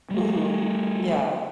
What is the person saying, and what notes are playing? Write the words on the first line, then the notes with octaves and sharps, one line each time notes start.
Mhm. Yeah.
G3 A3